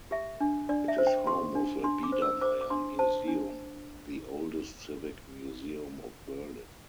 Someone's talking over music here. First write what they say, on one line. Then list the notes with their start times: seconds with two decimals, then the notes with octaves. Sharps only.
It is home of a Biedermeier museum, the oldest civic museum of Berlin.
0.11 G4 E5
0.41 D4
0.69 D4 D5
0.88 E5
0.98 C5
1.07 G5
1.27 G4 C6
1.55 D4
1.83 D4 C6
2.03 D6
2.12 C5
2.22 E6
2.41 C5 D6
2.61 D6
2.70 D4 C6
2.99 C5 A5
3.28 D4